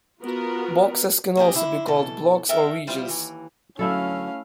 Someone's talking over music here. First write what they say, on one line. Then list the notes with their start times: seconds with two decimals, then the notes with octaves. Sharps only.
Boxes can also be called blocks or regions.
0.22 B3 F4 F#4 A#4
1.37 A#3 C#4 D4 G4 G#4
1.54 D3 E4
1.86 B2 E3 A4
2.49 A4 A#4 E5 G5
2.87 F3 G3 E4 F4
3.08 D#2 E3
3.79 D2 F#3 A3 C#4 E4 A4 F5